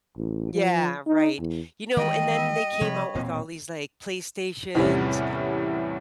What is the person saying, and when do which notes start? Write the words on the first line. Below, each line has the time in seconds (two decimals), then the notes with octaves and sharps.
yeah, right, you know, and then they came out with all these like, PlayStations
0.17 A1
0.53 F3
1.07 D#4
1.39 E2
1.97 D#3 E3 G3 G#3 D#5 G5
2.34 E5
2.81 C3 F3 G3 C#5 B5
3.15 E1 A#2 C4
4.75 E2 A2 C3 G3 C#4